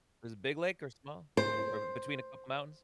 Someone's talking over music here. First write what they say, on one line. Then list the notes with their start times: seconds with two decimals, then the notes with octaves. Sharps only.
Is it big lake or small, or b between a couple of mountains?
1.37 C5